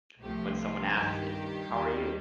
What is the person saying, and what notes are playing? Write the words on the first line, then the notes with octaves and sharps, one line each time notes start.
When someone asked him, How are you?
C2 C3 F3 A3 G4
F4
G2 D#3 G3 G4
D#2 D#3 G3